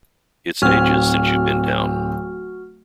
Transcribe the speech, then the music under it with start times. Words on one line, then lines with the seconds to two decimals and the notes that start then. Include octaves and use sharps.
It’s ages since you’ve been down.
0.62 D1 C4 F#4 F6